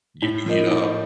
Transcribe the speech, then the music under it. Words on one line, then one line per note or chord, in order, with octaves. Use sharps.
you can heat up.
A2
F3 A#3 D#4
A2